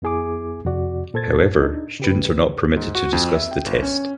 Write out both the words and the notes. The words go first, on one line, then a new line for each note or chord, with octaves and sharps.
However, students are not permitted to discuss the test.
F2 B3 E4 G#4 G#5 D6
F2 C3 F#4 D5
A#2 A4 C5 G#6 A6
D4 D#4
C#3 G4 B4
G#2
F#4
F2
E5
G5
G1
C#4